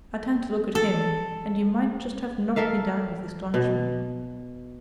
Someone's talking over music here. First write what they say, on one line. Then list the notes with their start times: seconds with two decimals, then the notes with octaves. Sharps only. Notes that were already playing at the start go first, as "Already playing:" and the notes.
I turned to look at him, and you might just have knocked me down with astonishment.
0.75 A4
2.56 A4 A#4 E5 F5
3.54 B2